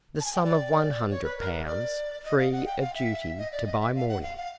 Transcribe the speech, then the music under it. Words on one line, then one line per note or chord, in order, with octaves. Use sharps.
"The sum of one hundred pounds, free of duty, to buy mourning."
A5
G#5
G5
D5
C#5
B4
A#4
D5
D#5
F5
F#5
G5
F5
E5
D#5
D5
D#5
E5
F5
F#5
F5
F5